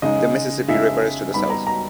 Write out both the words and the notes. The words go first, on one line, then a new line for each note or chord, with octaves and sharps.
The Mississippi River is to the south.
C#3 G#3 D#4 D#5
C#3 G#3 D#4 E5
G3 B3 D#4 B5
A#5
A#5